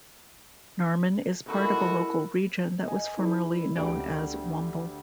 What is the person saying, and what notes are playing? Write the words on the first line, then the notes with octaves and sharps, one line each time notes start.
Norman is part of a local region that was formerly known as Womble.
C#3 G#3 E4 F#4 A4 A#4
D#5 G#5
E4 G#4 B4 D5
D2 G4 D5 D7